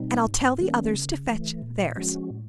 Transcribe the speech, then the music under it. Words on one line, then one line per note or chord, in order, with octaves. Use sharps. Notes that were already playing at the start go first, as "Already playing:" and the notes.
And I'll tell the others to fetch theirs.'
Already playing: B2 G3 C4 D#4
G#2
D#3 G3 A#3 C#4
C#3
E3 A3
A#2
F3 G#3 C#4 F#4
A2